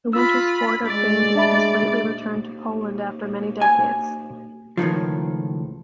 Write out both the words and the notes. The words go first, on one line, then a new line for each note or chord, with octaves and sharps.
The winter sport of bandy has lately returned to Poland after many decades.
F4 B5 E6
G#3 D5
D4 E5 B5
G#5
C#2 A2 D#3 F3